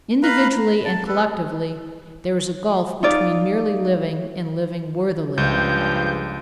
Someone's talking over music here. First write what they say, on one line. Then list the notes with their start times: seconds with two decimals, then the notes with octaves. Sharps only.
Individually and collectively there is a gulf between merely living and living worthily.
0.23 B4 F5 A#5 B5
0.52 A#5
0.85 A5
1.07 A4 B4
3.03 D#4 F4 D5
5.38 C#2 G2 C#3 F3 G6